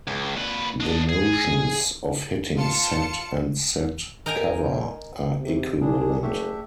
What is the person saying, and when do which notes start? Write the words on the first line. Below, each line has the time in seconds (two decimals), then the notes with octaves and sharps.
The notions of hitting set and set cover are equivalent.
0.07 C#2
0.36 A#2 B4
0.80 D4 D#5
1.09 G#4
2.56 F4 A5 C#7
4.26 A#4 D#5 G5 G#5 A#5
5.40 C3
5.81 F#2 G3 D4 G#4
6.23 F#1 A3 D4 G4 G#4 E5 C#6